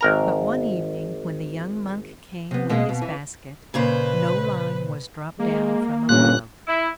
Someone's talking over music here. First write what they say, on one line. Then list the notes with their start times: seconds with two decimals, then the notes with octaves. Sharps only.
But one evening when the young monk came with his basket, no line was dropped down from above.
0.01 G#1 A#4 A#5
2.51 C3 B3
2.69 B2 G#3 A#3
2.89 B2
3.02 E3
3.74 A#2 C#3 B4 C5
5.39 G#3 A#3
6.09 G1 A#2 G3 C#4 F#6
6.67 E4